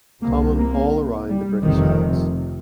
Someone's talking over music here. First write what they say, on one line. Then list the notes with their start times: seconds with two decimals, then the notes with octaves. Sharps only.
Common all around the British Isles.
0.22 C2 C3 A#3
0.57 A#3
1.29 G3
1.64 F1 F2 C3 D#3